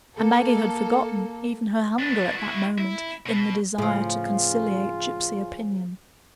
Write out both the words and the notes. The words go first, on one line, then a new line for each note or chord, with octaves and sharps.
And Maggie had forgotten even her hunger at that moment in the desire to conciliate gypsy opinion.
A#3 A4
B3 D4
E4 F#4
E4
B2
A2 C#3 F3 F4